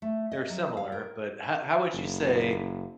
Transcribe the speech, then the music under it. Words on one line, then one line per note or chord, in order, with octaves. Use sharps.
They're similar, but ho how would you say
A3
D#5
F#3
F5
A#4
F#1